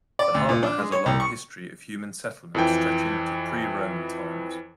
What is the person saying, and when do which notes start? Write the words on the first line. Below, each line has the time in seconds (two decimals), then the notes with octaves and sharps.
The harbour has a long history of human settlement stretching to pre-Roman times.
0.19 D5
0.34 D2
0.49 A#2
0.63 D4
0.78 G#3
0.92 C#5
1.06 C2
1.20 C#6
2.55 F2 E3 G5